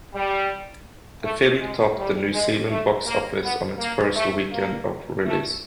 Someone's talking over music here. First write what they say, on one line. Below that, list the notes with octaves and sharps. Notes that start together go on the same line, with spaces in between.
The film topped the New Zealand Box Office on its first weekend of release.
G3
A3
G#3
G3
G#3
A3
A#3
B3
A#3
A3
A#3
A3